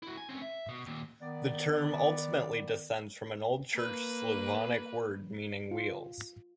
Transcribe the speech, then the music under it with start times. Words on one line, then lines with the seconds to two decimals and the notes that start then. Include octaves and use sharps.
The term ultimately descends from an Old Church Slavonic word meaning wheels.
0.03 E4 F#4
0.17 G#5
0.29 C4 C#4
0.42 E5
0.69 B2
0.86 D#2 A#2
1.22 D#3 B3 D5
3.75 A#3 B4
5.71 F4